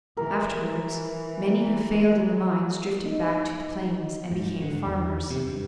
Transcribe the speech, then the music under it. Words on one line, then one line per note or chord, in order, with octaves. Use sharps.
Afterwards many who failed in the mines drifted back to the plains and became farmers.
E3 A#4
D#4
G#2
D3
E2
C3
G2